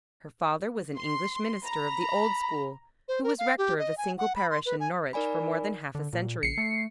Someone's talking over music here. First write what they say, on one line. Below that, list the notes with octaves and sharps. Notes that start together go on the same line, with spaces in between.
Her father was an English minister of the old school who was rector of a single parish in Norwich for more than half a century.
C6
A#5 B5
C5
A#4
F5
G4
D#5
G#5
F#5
B5
C6
B4
G#5
D#4 A#4 D5 G#5 B5
D3
A#2
A#1 C7 C#7
A3